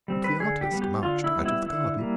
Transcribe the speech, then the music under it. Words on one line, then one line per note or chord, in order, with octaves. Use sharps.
But the artist marched out of the garden.
G3 C4
B4
D3 G#4
G4
G3 B3
G4
D3 F4
E4
G3 B3
E4
D3 E4
G3 A#3